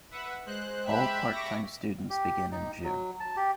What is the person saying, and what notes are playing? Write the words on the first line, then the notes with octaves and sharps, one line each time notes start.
All part-time students begin in June.
B4 E5 F#5
G#3 C5 F#6
G4 E5 B5
C#6 D6 A#6
G4
D#4
F#3
A5
G4